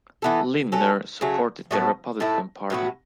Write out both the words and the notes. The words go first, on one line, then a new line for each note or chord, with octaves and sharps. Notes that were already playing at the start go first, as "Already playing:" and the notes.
Lindner supported the Republican Party.
E3 B3 E4 A4
F#3 C#4 A4
C#3 F#3 A3
A2 F#3 B3 A4
A2 A3 E4 A4
A2 F#3 B3 F#4